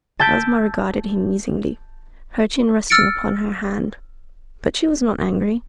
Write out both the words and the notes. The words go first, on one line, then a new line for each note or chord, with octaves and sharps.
Ozma regarded him musingly, her chin resting upon her hand; but she was not angry.
A5 E6 G6 B6 D7
E6 F6 A6 C#7 D7